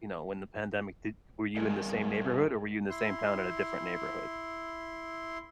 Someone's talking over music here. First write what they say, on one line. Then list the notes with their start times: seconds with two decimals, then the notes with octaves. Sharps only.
you know, when the pandemic did were you in the same neighborhood, or were you in the same town at a different neighborhood?
1.57 G2 G3 G#4 A#4 D#5
2.89 E4 C6